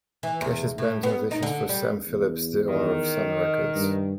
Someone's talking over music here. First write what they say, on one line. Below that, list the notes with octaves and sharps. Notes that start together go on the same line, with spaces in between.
Cash's band auditions for Sam Phillips, the owner of Sun Records.
E3
E2
A2
B3
D#4
D3
G3
E2
D#3
G2